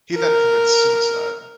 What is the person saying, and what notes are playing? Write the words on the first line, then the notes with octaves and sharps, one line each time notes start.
He then commits suicide.
A#4